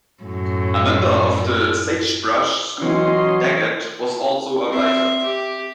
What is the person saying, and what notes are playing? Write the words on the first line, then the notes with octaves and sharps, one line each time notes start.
A member of the Sagebrush School, Daggett was also a writer.
F#2 A2
E3 F#3 C#4 D#5 C6
C4 E5
G4